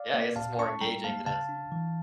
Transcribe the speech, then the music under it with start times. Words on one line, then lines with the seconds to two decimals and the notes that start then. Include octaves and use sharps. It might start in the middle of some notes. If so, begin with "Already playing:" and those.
Yeah, I guess it's more engaging, you know, so
Already playing: D5 F5
0.14 A#3
0.36 A#2 F5 A5
0.58 C#4 A5 C#6
0.81 G3 G5 A#5
1.04 A#3 F5 A5
1.26 C#3 F5 A5
1.49 D4
1.72 E3